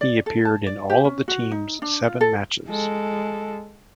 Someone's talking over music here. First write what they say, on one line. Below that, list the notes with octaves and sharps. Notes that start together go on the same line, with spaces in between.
He appeared in all of the team's seven matches.
D5
A4
A5
D5
G4
C#4
F#4
D#4
D4
F4
A4
G#3 A4